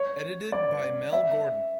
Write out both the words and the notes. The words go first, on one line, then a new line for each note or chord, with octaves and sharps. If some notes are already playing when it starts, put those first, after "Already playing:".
Edited by Mel Gordon.
Already playing: C#5
D5
E5